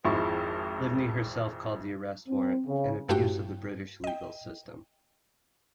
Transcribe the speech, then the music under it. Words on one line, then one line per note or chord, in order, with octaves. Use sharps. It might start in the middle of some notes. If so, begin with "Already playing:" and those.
Livni herself called the arrest warrant "an abuse of the British legal system".
G#1 F2 G#3 E4 C#6
C4
C#3
G2 A3 E4 F#4 G4 G5
D#5 G5